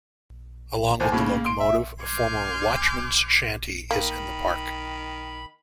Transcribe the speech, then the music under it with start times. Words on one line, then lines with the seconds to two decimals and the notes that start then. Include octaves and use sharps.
Along with the locomotive, a former "watchman's shanty" is in the park.
1.00 D#2 C5 G#5
1.12 A2 C#3 A#3
1.45 C6 D7
1.60 E5
2.00 G#5 C6 D6 F6 G6
3.91 D#3 A#3 B5